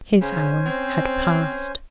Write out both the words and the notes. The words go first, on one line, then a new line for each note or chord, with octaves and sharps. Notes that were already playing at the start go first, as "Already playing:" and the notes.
His hour had passed.
C#3 C#4 C5 G#5
C4